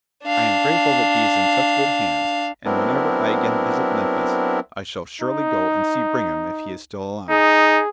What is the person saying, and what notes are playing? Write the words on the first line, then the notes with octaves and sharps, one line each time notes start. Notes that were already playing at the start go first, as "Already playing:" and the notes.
I am grateful that he is in such good hands, and whenever I again visit Memphis I shall surely go and see Brigham if he is still alive.
D4 F5
F#3 B3 C4 D4 E4 A#4
D#4
D#4 G#4